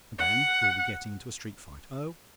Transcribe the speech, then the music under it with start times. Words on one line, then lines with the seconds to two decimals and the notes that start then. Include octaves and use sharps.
And then you'll be getting into a street fight--oh!
0.18 F#5